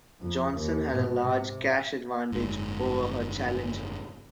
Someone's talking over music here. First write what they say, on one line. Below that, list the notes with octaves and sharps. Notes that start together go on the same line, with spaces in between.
Johnson had a large cash advantage over her challenger.
F2
D#2
G#2 B2
C3
F#1 G#2